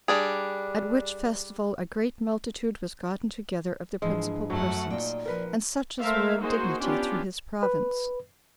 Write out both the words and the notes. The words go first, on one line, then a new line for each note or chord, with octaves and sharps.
At which festival a great multitude was gotten together of the principal persons, and such as were of dignity through his province.
G3 D4 G#4
G#2 E3 F3 G#3 D4
F#2 F#3 A3 F#5
A#2 D#4 D5 G5
F3 A#4 B4
A3 A#4 C5 E5 F5
A#3 D#4 F#4 G#4 C5
B3 C#4 D4 F4 G4
B4